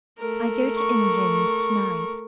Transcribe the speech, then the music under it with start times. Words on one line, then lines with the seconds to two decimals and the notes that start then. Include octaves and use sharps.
"I go to England to-night."
0.18 A3 A#4
0.78 C#6